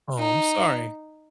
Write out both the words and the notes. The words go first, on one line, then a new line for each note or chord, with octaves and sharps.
Oh, I'm sorry.
D#4